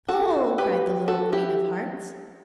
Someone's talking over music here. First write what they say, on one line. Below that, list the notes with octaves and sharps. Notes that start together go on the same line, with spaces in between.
"Pull!" cried the little Queen of Hearts.
F#4 A4
G4 B4
F#4 A4
E4 G4